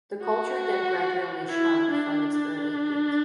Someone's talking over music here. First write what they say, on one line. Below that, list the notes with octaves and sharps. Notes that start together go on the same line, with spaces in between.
The culture then gradually shrank from its early peak.
F#4
E4
D4
D4